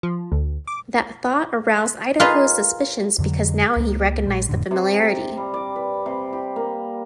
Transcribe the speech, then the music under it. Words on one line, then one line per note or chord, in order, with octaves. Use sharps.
That thought aroused Idaho's suspicions because now he recognized the familiarity.
F3
D2
D6
F4 G#4 A#4 B4 D#5 F5
F2 D3 D#3 F#3
C#2 A#3
A#1 G#3
F1 F2 A2 D3
C3
A#5
G3
D5
B4
C3
G4
A#3